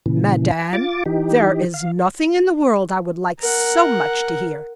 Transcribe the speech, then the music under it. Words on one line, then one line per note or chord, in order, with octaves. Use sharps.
"Madame, there is nothing in the world I would like so much to hear."
A#2 C#3 E3
G#5
F4 D6 A6
E3 D#4 G4
F5
A#4 F#5